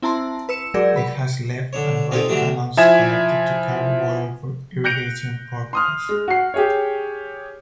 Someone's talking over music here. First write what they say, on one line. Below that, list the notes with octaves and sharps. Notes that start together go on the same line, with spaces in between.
It has left and right canals connected to carry water for irrigation purposes.
C4 E4 A5 A#5 C6
B4 E6 C#7 E7
F#3 G#3 G#4 A#4 D5 G6
B4 B5
D3 D4 C#5
C4 D#4 F4 G4 A4
D3 E3 F#3 A3 D4
F3 E4 E5 G#5 G#6 E7
F#6 G6 A#6 C#7 D7 F7
C6 D#6 F6
G#3
F#4 C7
G4 G#4 C#5